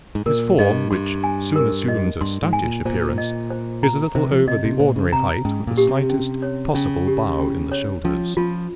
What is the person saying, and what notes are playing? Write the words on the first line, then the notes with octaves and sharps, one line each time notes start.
His form, which soon assumed a stoutish appearance, is a little over the ordinary height with the slightest possible bow in the shoulders.
G#2
A#2 A#4
G2 D#5
G2 C6
G#5
A#4
D#5
G2 C6
G#2
G#5
A#2
A#2 C5
D#5
C5
A#5
C3 C5
F3
C3 D#5
C3
A#2 C5
C#3
C3 A#5
G#2 C#4
A#2
G4
C3
C#4
C#5
C#3 C#4
G4
C#4
C#5
F3 C#4
F3 F4